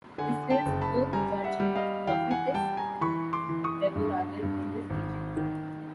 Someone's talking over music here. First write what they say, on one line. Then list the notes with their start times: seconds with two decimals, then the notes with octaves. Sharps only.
Israel's fourth judge and prophetess Deborah lived in this region.
0.18 D3 F#5 G#5
0.50 G5 A5
0.66 F#1
0.81 A5 B5
1.13 G3 G#5 A#5
1.44 E5 F#5
1.60 G3
1.75 D#5 F5
2.07 E3 F5 G5
2.31 F#5 G#5
2.54 G3 G5 A5
2.77 G#5 A#5
3.01 E3 B5 C#6
3.33 C6 D6
3.49 E3
3.64 C#6 D#6
3.96 G2
4.42 G2
4.90 G#1
5.37 D#3